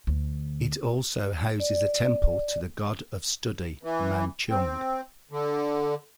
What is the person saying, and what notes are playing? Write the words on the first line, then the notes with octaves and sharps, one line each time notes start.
It also houses a temple to the god of study, Man Cheung.
D2
D5
E3
C4
D3